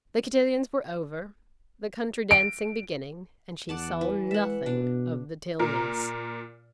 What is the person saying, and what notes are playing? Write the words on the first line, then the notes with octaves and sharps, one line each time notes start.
The cotillions were over, the country-dancing beginning, and she saw nothing of the Tilneys.
D7
E2 D5 F#5 A5
E3
G#3 E5 F#5
B2 D4
A#2 A#4